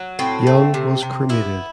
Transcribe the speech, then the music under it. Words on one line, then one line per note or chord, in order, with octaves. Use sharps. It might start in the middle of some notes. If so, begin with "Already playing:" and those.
Young was cremated.
Already playing: F#3
A2 C4
A3
C3
C3
B3 E4